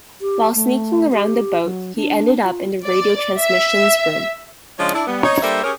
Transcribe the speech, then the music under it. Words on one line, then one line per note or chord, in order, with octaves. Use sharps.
While sneaking around the boat he ended up in the radio transmissions room.
G4
A3
G4
F#3
D4
F4
D5
E5
C#3 F3 G#3 D4 F4 C#5
D4 E4
G3 B3
D#4 C#5
G3 A#3 D4 A4 C5 E5
C#4 G4 G#4 A#4 C#5